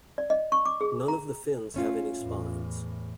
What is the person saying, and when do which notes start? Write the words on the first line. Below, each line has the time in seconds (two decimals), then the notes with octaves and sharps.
None of the fins have any spines.
0.18 D5
0.30 D#5
0.52 C#6
0.65 D6
0.81 G#4
1.08 A#5
1.74 A3 C#4 F4
2.20 E2 A2